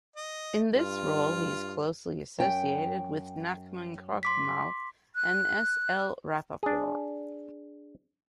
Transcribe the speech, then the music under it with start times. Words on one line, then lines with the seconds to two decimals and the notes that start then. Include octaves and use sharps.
In this role he is closely associated with Nachman Krochmal and S. L. Rapoport.
0.16 D#5
0.74 G2 F4
2.38 F#2 G5
4.23 C6 D6 B6
5.16 F#6
6.63 D4 G#4